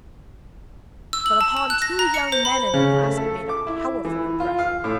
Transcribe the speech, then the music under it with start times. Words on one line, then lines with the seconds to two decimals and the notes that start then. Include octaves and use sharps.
But upon two young men in the class, it made a powerful impression.
1.13 E6
1.26 F#7
1.41 A5
1.57 A5
1.70 F#6
1.82 A#6
1.99 A#5
2.14 C#7
2.32 C5
2.45 B5
2.74 C#3
3.03 A3
3.17 A4
3.49 D6
3.67 E4
4.05 E3
4.40 F4
4.59 F5
4.84 A2